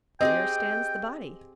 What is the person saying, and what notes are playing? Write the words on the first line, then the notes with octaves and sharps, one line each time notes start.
There stands the body!
C4 G4 G#4 D#5 G5